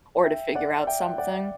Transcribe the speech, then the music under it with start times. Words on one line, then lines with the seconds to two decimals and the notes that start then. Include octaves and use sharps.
or to figure out something,
0.24 E5 G5
0.55 D5 F#5
0.87 E5 G5
1.18 D5 F#5